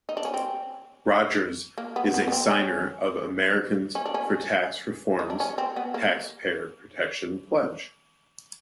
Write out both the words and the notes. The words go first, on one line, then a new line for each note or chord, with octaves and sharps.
Rogers is a signer of Americans for Tax Reform's Taxpayer Protection Pledge.
D#4
D4
C#4
C4
A#3
B3
B3
B3
C4
C#4
C#4
D4
C#4
D#4
D4
C#4
C4
B3
A#3